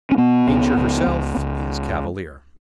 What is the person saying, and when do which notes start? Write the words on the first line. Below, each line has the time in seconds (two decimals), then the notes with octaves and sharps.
Nature herself is cavalier.
0.11 C#4
0.18 B2 B3
0.47 C#2
0.77 C#2
1.07 C#2
1.37 C#2